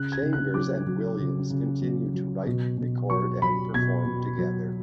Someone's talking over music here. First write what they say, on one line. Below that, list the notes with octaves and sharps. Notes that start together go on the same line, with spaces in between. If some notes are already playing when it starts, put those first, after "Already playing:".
Chambers and Williams continue to write, record and perform together.
Already playing: C#3 F#6
G#6
C#3
F#6
F#3 D6
F#3
C#3
C#3
F#3
F#3
B2
B2
F#3 C#6
F#3 B5
B2 G#6
B2
F#3